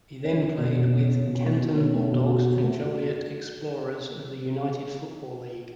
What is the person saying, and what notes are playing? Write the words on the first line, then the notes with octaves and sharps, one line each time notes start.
He then played with Canton Bulldogs and Joliet Explorers of the United Football League.
C#4
C#4
B2
B2
C#4
C#4
B2
A3
B2
C#4
A3
B2
F#4
F#4
A3
F#4